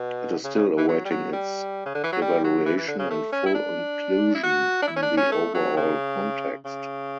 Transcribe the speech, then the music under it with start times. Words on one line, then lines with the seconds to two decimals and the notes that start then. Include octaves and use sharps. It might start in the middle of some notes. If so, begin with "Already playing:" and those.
It is still awaiting its evaluation and full inclusion in the overall context.
Already playing: B2
0.44 C#3
0.55 C#3
0.78 E3
0.88 F#3
1.05 G3
1.11 F#3
1.33 G3
1.86 C#3
1.95 D3
2.03 E3
2.12 F#3
2.21 G3
2.44 F#3
2.65 E3
2.77 E3
2.88 D3
2.99 C#3
3.10 A3
3.32 C#4
3.46 E4
3.54 D4
4.35 E4
4.43 F#4
4.82 D4
4.88 E4
4.96 C#4
5.02 D4
5.17 C#4
5.32 A3
5.54 F#3
5.77 C#3
6.65 C#3